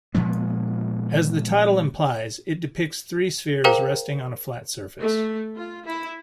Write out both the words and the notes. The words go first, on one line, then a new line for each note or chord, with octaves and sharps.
As the title implies, it depicts three spheres resting on a flat surface.
A#2 F3 G#3 B3
G#4 A#4 C5 F5 G5 A#5
A3
F4
E4